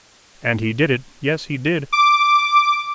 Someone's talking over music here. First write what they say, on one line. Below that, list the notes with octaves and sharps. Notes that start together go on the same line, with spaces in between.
And he did it; yes, he did!
D6